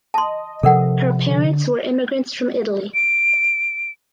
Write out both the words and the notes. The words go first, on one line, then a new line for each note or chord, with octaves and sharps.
Her parents were immigrants from Italy.
D#5 A5 C6
C3 F3 A4 A#4 F#5
D3
D7